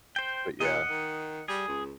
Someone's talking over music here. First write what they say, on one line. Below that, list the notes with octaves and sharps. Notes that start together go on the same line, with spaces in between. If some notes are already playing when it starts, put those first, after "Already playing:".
but yeah.
C5 G5
A#2 D#5 F#5
D#3
G3 G#4
C#2